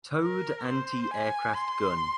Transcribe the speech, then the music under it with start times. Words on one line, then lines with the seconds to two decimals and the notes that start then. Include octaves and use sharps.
Towed anti-aircraft gun.
0.22 A#4
0.68 C5
1.11 G#5
1.54 C6